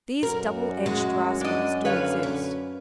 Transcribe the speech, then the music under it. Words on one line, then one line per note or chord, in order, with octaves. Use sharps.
These double-edged rascals do exist.
F#2 F#4 A#4
G#3
D4 D#5
D3 B4 C#5 F5
C#4